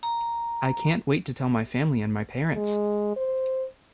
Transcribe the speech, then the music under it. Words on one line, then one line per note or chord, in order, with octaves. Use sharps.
I can't wait to tell my family and my parents.
A#5
G#3
C5